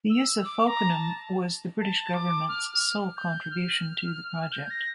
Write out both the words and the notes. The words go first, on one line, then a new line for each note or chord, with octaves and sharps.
The use of Folkingham was the British Government's sole contribution to the project.
E6
D6
A#5
A5
A5
D6
F6
F6
G6
F6
G6
A#6